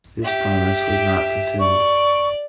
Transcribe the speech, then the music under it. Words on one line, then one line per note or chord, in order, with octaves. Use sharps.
This promise was not fulfilled.
G4 E5
D5 C#6